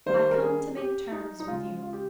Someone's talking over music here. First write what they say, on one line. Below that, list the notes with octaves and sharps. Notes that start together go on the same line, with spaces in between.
I come to make terms with you.
D#3 G3 A#3 C5
A#4
G#4
G4
D#4
D#4
C#3 G#3 F4
F4
G4